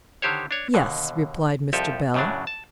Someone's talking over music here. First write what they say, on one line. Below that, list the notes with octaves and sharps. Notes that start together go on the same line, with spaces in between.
'Yes,' replied Mr. Bell.
D3 D#3 G4 C5 C#5
D4 C#5
D#2 B2 D3
C2 F2 F3 G4 A4 G#5
F#2 A2 C#3 F#3 D4
A5